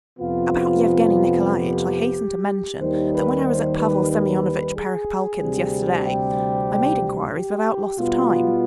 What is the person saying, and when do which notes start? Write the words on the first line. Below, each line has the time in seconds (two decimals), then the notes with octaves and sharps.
About Yevgeny Nikolaitch I hasten to mention that when I was at Pavel Semyonovitch Perepalkin's yesterday I made inquiries without loss of time.
0.18 F2 C3 F3 B3 F4
1.49 G4
2.78 D#2 D#3 G3 C5
3.12 B4
3.43 C5
3.77 B4
4.08 B4
4.74 G#4
5.38 D2 C3 G3 C4
6.03 G4
7.34 G4
7.99 B2 G3 B3 F4